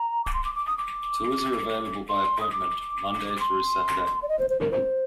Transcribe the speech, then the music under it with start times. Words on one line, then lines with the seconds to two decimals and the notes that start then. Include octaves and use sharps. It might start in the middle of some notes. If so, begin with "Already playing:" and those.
Tours are available by appointment, Monday through Saturday.
Already playing: A#5
0.25 D6
0.34 C6
0.45 D6
0.55 D6
0.67 D#6
0.78 D6
2.09 C6
2.40 D#6
2.52 D6
3.29 D6
3.40 C6
4.22 D5
4.29 D#5
4.39 C5
4.50 C5
4.61 A#4
4.72 C5